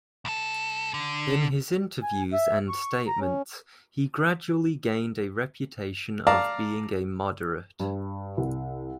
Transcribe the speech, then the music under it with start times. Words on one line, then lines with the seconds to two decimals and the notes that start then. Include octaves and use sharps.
In his interviews and statements he gradually gained a reputation of being a moderate.
0.25 C2 A4
0.94 D3
2.03 G#5
2.33 E5
2.69 C#6
3.07 A#5
3.20 C#4
6.27 D5 F5 A5 A#5
7.80 G2
8.37 C2